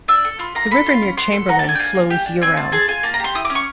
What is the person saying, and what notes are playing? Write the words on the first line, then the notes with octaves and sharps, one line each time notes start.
The river near Chamberlain flows year-round.
D4 E6
A4
F4 B5
A#3 A#5
A4 B5
F4
C#4
B3 C6
A4 C6
F#4 A#5
A5
D4 G#5
G5
A#3 G#5
A#3
G4
D4
C4 G#5
C4 A5
G#4 A5
F4 G#5
A#3 A5
A#5
G4 C6
E4 D#6
D6
C#4
C#6